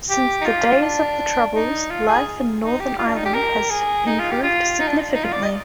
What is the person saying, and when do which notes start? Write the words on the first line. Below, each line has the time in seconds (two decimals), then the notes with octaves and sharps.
Since the days of the Troubles, life in Northern Ireland has improved significantly.
0.10 G4
0.41 D#4
0.45 F4
0.81 D4
1.54 D#4
1.90 F4
2.08 G#4
2.63 D#4
2.80 G4
2.99 F4
3.07 D4
3.17 D#4
3.25 G4
3.34 A#4
3.70 G#4
4.06 D#4
4.19 F4
4.31 G4
4.43 F4
4.80 D#4
4.88 D4
5.15 D#4
5.24 F4
5.33 D5
5.43 D#5